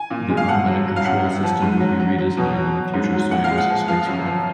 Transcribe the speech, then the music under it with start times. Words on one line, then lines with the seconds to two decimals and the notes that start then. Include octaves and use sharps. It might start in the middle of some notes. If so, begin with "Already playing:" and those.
The automatic control system would be redesigned on future Soyuz spacecraft.
Already playing: G#5
0.10 A#2
0.29 G#3
0.37 F5
0.48 F2 F#5
0.67 F#3
0.86 F#3
0.96 F5
1.05 F#2 F#5
1.24 F#2
1.43 F3
1.62 G#2
1.80 F#3
2.00 F#3
2.18 F#3
2.37 B2
2.56 F#3
2.75 F#3
2.93 G#2
3.12 F#3
3.31 A#2 F#5
3.44 F5
3.51 G#3
3.58 F#5
3.69 F3
3.88 F3 F5
4.07 F#2
4.26 F3